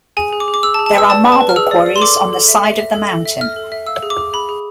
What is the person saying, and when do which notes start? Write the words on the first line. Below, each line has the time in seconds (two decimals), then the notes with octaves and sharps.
There are marble quarries on the side of the mountain.
0.17 G#4 G#5
0.33 G#4
0.40 D6
0.48 G#4
0.54 D6
0.63 G#4 E6
0.74 A5
0.79 G#4
0.86 A5
0.94 B4 E6
1.09 D5 A5
1.25 B4
1.32 A5
1.41 B4
1.49 F6
1.56 G#4 E6
1.71 D5
1.86 D5
1.96 C6
2.02 A4 D6
2.18 A4
2.33 A4
2.48 E5
2.64 E5
2.79 E5
2.95 A4
3.09 A4
3.25 E5
3.41 E5 F6
3.56 A4
3.72 E5
3.87 F5 E6
4.03 G#4
4.10 D6
4.18 G#4
4.33 G#4 B5
4.49 G#4